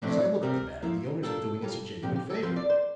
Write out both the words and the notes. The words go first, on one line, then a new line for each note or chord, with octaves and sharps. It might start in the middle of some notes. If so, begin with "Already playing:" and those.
As I look at the matter, the owners are doing us a genuine favor.
A2 F3 A3 C4 D4
C3 G3 C4 G4 A#4
F3 A#3 E4
G3 D4 F4 A4 A#4
G3 A#3 F4
A#2 F3 C4 G4
G4
A4
F3 C4 F4 C5
D5
C5